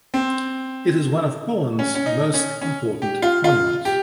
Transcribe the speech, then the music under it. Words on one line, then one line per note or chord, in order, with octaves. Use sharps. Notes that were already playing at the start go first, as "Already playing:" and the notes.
It is one of Poland's most important monuments.
C4
C#4
C#4
D#4
C#4
C#4
G4
F4
F4
G4